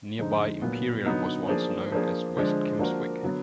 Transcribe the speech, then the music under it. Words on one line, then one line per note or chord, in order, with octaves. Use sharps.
Nearby Imperial was once known as West Kimmswick.
F2 D3 G#3 D#4
A#2 F#3 B3
D3 F#3 B3 D#4
F3 A#3 D4 G#4 D5
F3 A#3 D4 G#4
D3 F3 G#3 D4
F3 A#3 D4 F#4 A#4
D3 F#3 B3